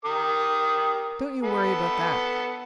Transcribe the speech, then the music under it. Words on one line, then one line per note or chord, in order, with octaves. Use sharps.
Don't you worry about that.
G4 A#4 D#6
B3 A4 B5